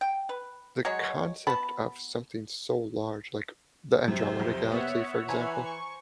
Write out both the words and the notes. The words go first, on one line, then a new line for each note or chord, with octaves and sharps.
the concept of something so large- like the Andromeda galaxy, for example-
G5
B4
F#3 G#3 F#4 C#5
B3 F#4 A5 B5
F#2 C3
B1 F2
B3 C#5 E5 F#5
E3 C5 G#5 A#5
C#6